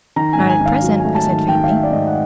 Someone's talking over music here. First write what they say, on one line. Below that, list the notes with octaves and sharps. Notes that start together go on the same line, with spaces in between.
"Not at present," I said faintly.
D#3 A#5
G#5
G#2
G#5
D#3
F5
F#3
G#5
A3
A5
D#3
D#3 G5
F5
A3 E5
D5
G#2 D#5
F#5